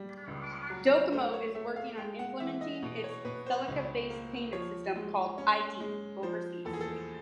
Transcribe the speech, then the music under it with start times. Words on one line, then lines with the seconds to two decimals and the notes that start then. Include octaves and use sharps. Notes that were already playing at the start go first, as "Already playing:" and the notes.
Docomo is working on implementing its FeliCa-based payment system, called iD, overseas.
Already playing: G3
0.28 C#2
0.70 F#3
1.12 A3 C5
1.34 C#5
1.55 A3 E5
1.76 F5
1.97 G#3 G5
2.19 F#5
2.40 E3 E5
2.61 D#5
2.82 B2
3.04 C#5
3.25 B2 B4
3.46 C5
3.68 C#2
4.10 A#3
4.52 F3 C#5
4.95 G#3
5.38 C#4
5.80 G#3
6.23 F3 C5
6.65 E2 A4
6.73 G#4
6.81 A4